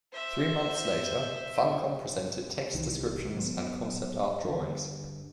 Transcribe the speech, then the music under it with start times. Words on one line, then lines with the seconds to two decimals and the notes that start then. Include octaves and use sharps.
Three months later, Funcom presented text descriptions and concept art drawings.
0.12 C5 E5
2.74 C2 G2 D#3 E3
3.34 F#3 B3
4.44 G2 D3